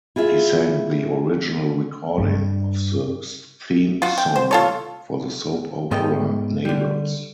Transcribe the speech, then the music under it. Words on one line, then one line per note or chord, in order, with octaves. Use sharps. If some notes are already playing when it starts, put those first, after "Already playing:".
He sang the original recording of the theme song for the soap opera "Neighbours".
E4 F4 G#4 E5
G2 G3
F4 F#4
G5
C5
F4 A4 C#5
G#2 F#3 B3 A4 D#5 G5
D3 G3